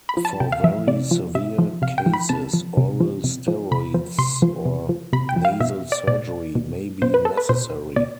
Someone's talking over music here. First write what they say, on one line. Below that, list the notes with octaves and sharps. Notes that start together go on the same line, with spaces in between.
For very severe cases, oral steroids or nasal surgery may be necessary.
B5
F3
A5
C3 G5
F5
F3 E5
C3 D5
F3
C3 E5
F3
C3 F5
G5
F3
B5
C3 A5
F3
C3
F3
C3
F3
C3 B5
F3
C3 C6
F3
C3
F3
C3 B5
G5
F3
F5
B2 E5
D5
B2 D5
B2
B2 C5
B4
A4
B4
B2 C5
B2 D5